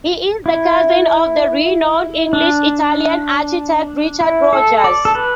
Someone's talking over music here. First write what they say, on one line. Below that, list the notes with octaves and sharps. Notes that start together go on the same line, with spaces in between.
He is the cousin of the renowned English-Italian architect Richard Rogers.
E4
D4
E4
A4
D5
A4
B4